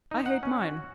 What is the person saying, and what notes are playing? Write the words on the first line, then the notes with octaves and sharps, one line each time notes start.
I hate mine.'
D#4
F#5
C#4
F#4